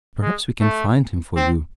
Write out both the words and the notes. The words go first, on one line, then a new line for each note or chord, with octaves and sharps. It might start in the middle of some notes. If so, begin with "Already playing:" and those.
Perhaps we can find him for you.
G#3
A3
C4